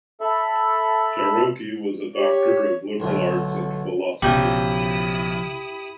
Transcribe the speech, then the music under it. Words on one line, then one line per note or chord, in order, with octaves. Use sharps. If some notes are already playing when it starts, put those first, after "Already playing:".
Jarocki was a Doctor of Liberal Arts and Philosophy.
A4 E5 B5
G4 C#5
B1 D3 A3
B1 C#3 F3 E4 G4 D#6 G6